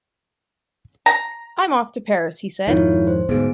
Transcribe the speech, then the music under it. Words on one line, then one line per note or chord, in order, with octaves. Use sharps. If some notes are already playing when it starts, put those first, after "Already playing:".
I'm off to Paris', he said.
A#5
F2 G#2 D#3 E4 F4 C#5
C5
D2 G#2 B2 B3 G#4 D7